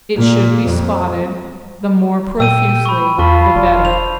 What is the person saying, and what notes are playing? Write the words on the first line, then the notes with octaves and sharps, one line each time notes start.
It should be spotted, the more profusely the better.
A#2
F2
A#2 G5 E6 D#7
B5 C#6
E2 F4 A5 B5 C#6
F1 D5
C5 F7